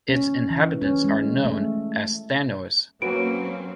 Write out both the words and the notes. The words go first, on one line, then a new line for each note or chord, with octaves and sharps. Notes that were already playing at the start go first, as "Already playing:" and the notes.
Its inhabitants are known as "Thannois".
C#4
E3
C#4
G#3
A3
F#3 A#3 C4 C#4 F#4 B4 D7